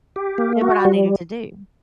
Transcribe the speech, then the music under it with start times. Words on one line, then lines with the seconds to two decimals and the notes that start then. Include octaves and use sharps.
did what I needed to do.
0.16 G4
0.38 A#3
0.61 F#4
0.85 G3